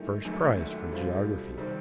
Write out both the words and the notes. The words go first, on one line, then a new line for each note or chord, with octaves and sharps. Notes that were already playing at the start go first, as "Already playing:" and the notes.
First Prize for Geography.
Already playing: F#2 A2 D#3 G3
G#1 F#2 D#3 F#3 A3
A#2
C3
D3
B2 G3 C4 F4
C3 D#3 G3 C4